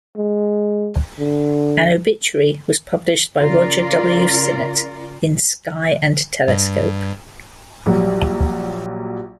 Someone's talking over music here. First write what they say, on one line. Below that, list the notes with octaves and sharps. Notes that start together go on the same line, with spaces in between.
An obituary was published by Roger W. Sinnott in "Sky and Telescope".
G#3
D3
C#3 F4 A#4 D5
G2
A#1 F#3 G3